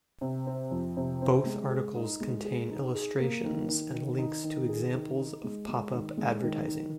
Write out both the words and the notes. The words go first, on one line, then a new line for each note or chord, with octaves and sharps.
Both articles contain illustrations and links to examples of pop-up advertising.
C3
C4
F2
C3
C4
G#3
G#4
D#4
G#3
G#4
D#4
G#4
A#3
D#3
D#3
D#3
D#4
D#3
G#4
D#3
D#4
G#3
G#3
D#3
G#3
D#3
D#3